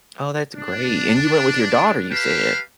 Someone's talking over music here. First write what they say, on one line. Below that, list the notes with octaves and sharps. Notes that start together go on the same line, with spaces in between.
Oh, that's great, and you went with your daughter, you said?
D4
G4 B4 F5 G5 A5